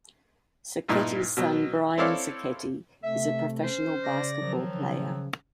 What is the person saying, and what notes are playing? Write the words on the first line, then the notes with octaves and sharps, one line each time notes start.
Sacchetti's son, Brian Sacchetti, is a professional basketball player.
G2 A#2 D#4 E4
B2 F#3
C4 E4 A4 C#5 D5 F5
C3 A3 E5
C#4 C5
C#3 D5 A#6
D#3 F3 F#3
C#3